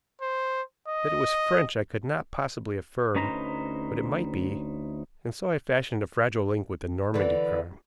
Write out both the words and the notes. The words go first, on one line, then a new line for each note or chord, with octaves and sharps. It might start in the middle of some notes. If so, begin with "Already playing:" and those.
That it was French I could not possibly affirm, but it might be, and so I fashioned a fragile link with the Normandy crime.
C5
D#5
D2 C#4 D#4 B4 C5 A#5
D3 E3